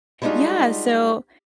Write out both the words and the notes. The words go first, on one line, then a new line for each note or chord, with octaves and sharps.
Yeah, so
G3 G#3 D4 D#4 F4 F#4